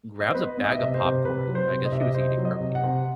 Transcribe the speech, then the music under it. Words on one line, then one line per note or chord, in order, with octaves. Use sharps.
grabs a bag of popcorn I guess she was eating earlier
D#5
C5
B3 B4
B3
D#5
E5
C3 D#5
C5
C3
C3 B4
F#3
C5
C3
D#5
C3 E5
D#5
C3 C5
F#3
D#5
C3
F#5
C3